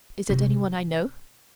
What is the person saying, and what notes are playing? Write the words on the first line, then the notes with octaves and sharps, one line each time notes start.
"Is it anyone I know?"
C3